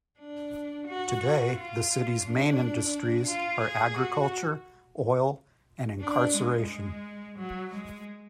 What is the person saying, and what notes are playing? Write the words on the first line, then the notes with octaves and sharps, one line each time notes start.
Today, the city's main industries are agriculture, oil and incarceration.
D4
F#4
F4
D4
F4
G#4
F#4
D4
G#3
F#3
G#3